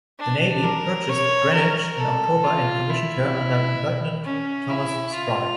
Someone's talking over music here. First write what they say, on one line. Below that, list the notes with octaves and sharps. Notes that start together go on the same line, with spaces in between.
The Navy purchased "Greenwich" in October and commissioned her under Lieutenant Thomas Spry.
D4
A#4
C#5
A#4
A4
F4
E4
C#4
E4
F4